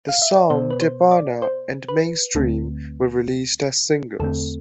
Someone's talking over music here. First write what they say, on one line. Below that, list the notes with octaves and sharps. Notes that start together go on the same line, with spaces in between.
The songs "Djapana" and "Mainstream" were released as singles.
F5
E5
D5
B2 B3 C5
B4
C5
D5
C5
B4
D2 D3 A3 C4
E2 D3 A3 C4 A4